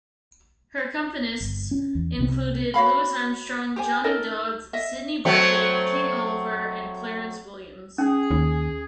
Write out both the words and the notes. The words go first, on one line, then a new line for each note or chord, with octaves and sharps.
Her accompanists included Louis Armstrong, Johnny Dodds, Sidney Bechet, King Oliver, and Clarence Williams.
G1
C#4 D4
E2
C2 C3 C4
F#4 C#5 F5 B5
G4 C5 G#5
D#4 A4 A#4 D#5
D#5 E5
F#3 A3 C4
C#4 G#4
D#2